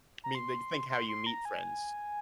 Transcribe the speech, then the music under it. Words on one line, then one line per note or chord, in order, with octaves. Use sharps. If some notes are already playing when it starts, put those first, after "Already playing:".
Mean, like, think how you meet friends.
A#5
C6
C6
C6
A#5
G#5